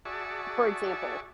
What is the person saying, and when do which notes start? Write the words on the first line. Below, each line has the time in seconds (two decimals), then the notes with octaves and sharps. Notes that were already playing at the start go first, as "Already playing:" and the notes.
for example,
0.05 F#4 G#4 D5 E5 A5 C#6